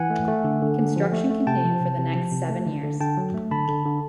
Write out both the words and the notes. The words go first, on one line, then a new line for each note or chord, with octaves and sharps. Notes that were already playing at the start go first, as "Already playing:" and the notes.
Construction continued for the next seven years.
Already playing: E3 F#5 G#5
A3
A3
D3
D3
D3
F3
A3
A3
C3 G5 A5
F3
C3
C3
F3
C3
A3
D3
D3
D3 G5 A5
F#3
A3
D3 A5 B5
D3
D3